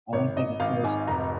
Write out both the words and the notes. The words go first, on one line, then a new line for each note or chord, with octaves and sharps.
I wanna say the first
G#1 C#5
G#1 D#5
G#1 F5
G#2 G#5
F1 A#5